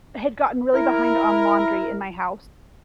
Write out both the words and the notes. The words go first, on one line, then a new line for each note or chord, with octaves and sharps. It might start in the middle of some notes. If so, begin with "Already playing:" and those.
had gotten really behind on laundry in my house
E4 A#4